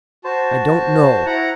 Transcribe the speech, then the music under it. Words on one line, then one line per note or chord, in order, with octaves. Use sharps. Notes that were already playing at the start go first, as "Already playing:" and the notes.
I don't know!
F#4 C5 A5
E4 F#5 A#5